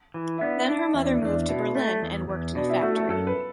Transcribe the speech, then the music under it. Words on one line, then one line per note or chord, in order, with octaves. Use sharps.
Then her mother moved to Berlin and worked in a factory.
E3
E4
B3 D4
E4
D4
E4
E2 E4
D4
E2 D4
B2 E4
A3
E2
E2
B2 D4
E4
A3 F#4
A4
F#2 A4
B4